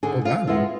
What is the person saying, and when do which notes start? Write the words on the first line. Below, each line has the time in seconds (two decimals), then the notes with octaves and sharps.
Oh, wow.
0.03 D3 G#4 G#5
0.25 F4 F5
0.47 G#3 B3 E4 F4 E5